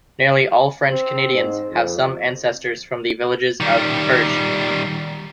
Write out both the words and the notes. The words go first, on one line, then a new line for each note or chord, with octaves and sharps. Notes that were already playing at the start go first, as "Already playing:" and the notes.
Nearly all French Canadians have some ancestors from the villages of Perche.
C4
G#2
F2
D#3 G3